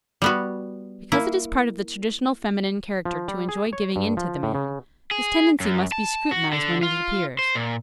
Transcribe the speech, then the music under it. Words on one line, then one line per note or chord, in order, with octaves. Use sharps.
Because it is part of the traditional feminine character to enjoy giving in to the man, this tendency must be scrutinized when it appears.
G3 B3 F#4
A#3 E4
F3
G3
G#4
C#5
G2
F3
A2
C#3
G#4
F#2
A5
F#4
D3
F4
C5
A#2